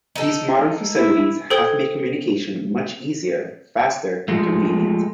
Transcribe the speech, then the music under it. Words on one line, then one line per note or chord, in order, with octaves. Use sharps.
These modern facilities have made communication much easier, faster and convenient.
D#4 A4
E4
A4 C5 G5 D#6 G#6 G7
F3 G#3 A3